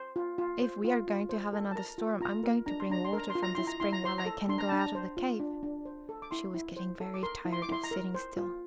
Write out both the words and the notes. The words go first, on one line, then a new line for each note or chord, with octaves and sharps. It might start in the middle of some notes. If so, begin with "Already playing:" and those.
"If we are going to have another storm I am going to bring water from the spring while I can go out of the cave." She was getting very tired of sitting still.
Already playing: C5
F4
F4
C5
F4
F4
C5
A4
A5
A#4 A#5
F4
F4 A#5
A#4
D4 A#5
C6
D4 A#5
C6
A#4 A#5
C6
F4
A#5
E4 C6
A#5
E4 C6
A#5
C5 C6
A#5
A4
D4 C6
A#5
D4 A5
A#5
C5
F4
D4
D4
C5
A4
D6
E4 C6
E4
C5
A4
D6
A#4 C6
E4
C6
D6
E4 C6
A#5
A#4
C5
F4